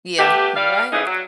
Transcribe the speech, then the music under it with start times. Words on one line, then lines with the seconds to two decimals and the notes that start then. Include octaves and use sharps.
Yeah. You're right.
0.18 A3 B3 G4
0.55 G3 D5 F5
0.91 F2 C#3 E3 D#4 G#4
1.06 F#3